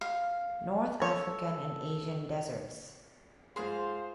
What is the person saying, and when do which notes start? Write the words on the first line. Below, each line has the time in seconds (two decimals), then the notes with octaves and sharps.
North-African and Asian deserts.
0.01 F5
1.02 A4 C#5
3.56 G#2 F4 G#4 C5 F5 C6